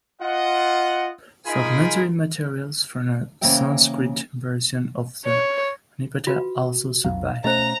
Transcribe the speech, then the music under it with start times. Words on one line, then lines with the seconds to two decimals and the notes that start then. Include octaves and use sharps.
Fragmentary materials from a Sanskrit version of the Nipata also survive.
0.21 F4 D#5 F#5
1.46 D#4 F4 G#4 A#4 G#5 B5
3.41 C#3 E3 A#3 C5 E5 G5
5.25 C#5
6.27 F4 F#4 B4
7.04 B1 F2 F#3 F5
7.44 B2 A3 C#4 C5 D#5 A#5